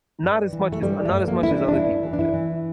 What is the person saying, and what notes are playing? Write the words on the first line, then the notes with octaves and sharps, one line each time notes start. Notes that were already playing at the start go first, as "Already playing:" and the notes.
Not as much as uh, not as much as other people do,
G2
E3
A3
G2 G3
A3
G2
A#3
E3 E4
D4
D4
G2 E4
E3
D4
E4
E3